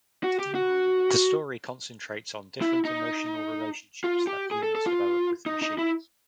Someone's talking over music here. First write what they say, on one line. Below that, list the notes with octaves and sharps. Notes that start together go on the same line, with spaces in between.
The story concentrates on different emotional relationships that humans develop with machines.
F#4
G4
F#4
E4
D#4
F4
G4
G#4
A4
A4
F4
D#4
D#4
E4